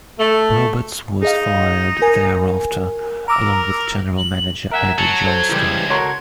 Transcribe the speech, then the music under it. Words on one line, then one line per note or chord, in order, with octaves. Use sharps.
Roberts was fired thereafter, along with General Manager Eddie Johnston.
A3
D#4 G#4 D#5 F5
A#4 G#5
A#4 A#5 D6 E6
F#7
A#4 E5 F#5 G#5
F#3 A5 C#7
A4 C5 G#6
C#2 E3 G3 G4
F#4 A4 A#4 C#5 C6 C#6